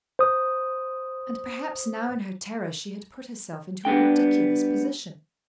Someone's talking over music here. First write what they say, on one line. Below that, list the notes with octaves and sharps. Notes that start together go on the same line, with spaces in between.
And perhaps now in her terror she had put herself into a ridiculous position.
C5 D#6
G3 B3 D4 G5